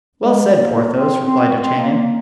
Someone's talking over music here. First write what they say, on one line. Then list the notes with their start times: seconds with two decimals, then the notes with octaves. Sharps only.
"Well said, Porthos," replied D'Artagnan.
0.23 G#3
0.58 A#3
0.92 C4
1.26 C4
1.62 C4
1.78 A#3
1.96 A#3